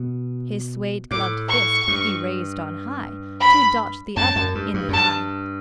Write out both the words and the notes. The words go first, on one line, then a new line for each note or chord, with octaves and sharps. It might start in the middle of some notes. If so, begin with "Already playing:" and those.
His suede-gloved fist he raised on high to dot the other in the eye.
Already playing: B2
A2 D6
C#6
G2
B5
F#2 A5
F#2
G2
G2
F#2
G2 A5